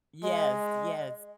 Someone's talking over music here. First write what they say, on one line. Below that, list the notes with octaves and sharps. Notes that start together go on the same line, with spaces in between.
Yes. Yes.
G#3 D#5